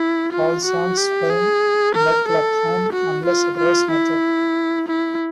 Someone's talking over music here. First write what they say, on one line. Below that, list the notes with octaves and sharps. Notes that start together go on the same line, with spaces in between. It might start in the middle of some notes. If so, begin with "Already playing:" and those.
All songs by McLachlan, unless otherwise noted.
Already playing: E4
F4
F#4
G4
G#4
A#4
A4
F#4
F4
F4
E4
E4